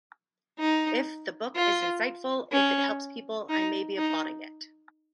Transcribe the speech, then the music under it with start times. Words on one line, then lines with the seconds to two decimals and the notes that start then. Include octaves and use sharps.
If the book is insightful, if it helps people, I may be applauding it.
0.59 D#4
1.56 F4
2.52 C#4
3.49 D#4
3.98 D#4